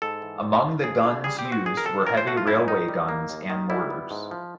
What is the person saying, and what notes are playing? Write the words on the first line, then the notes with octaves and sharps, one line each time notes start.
Among the guns used were heavy railway guns and mortars.
G#2 A4
E3
G3
C4
F2 G#4
D3
G3 G#4
G4
C4
F#4
E2 G#4
A#4
C3 A4
E3 A#4
C5
A3 F#4
F4
F#2 E4
D#3 D#4
G3
A#3
D#2
D#3
G3 E4
B3
G#2
F3